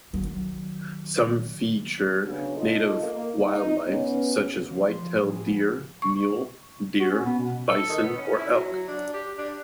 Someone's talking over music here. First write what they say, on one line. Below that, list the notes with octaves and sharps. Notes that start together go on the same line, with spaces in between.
Some feature native wildlife such as whitetail deer, mule deer, bison or elk.
D#3 F#3
C#3 F#3 B3 C#4 D4
D#4 F4 A4 D#5
A#3
D#4
B3 C#4
F3
C6
F3
A2
G#4
B3
C#6
F#4
C#4
B3
B2
A4
D#3
B3
C#4
E4
F#3
F#3
D4
G4
D4